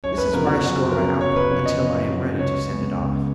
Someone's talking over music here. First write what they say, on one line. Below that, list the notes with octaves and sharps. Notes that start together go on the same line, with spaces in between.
This is where I store my output until I am ready to send it off.
F#2 C#5
B4
C#3 F3 B3 A#4
F#4
F#2
C#3 F3 B3 A#4
F#2 C#5
B4
C#3 F3 B3 C#5
D#5
F#2
C#3 F3 B3
C#2 C#5
C#3 G#3 B3
C#2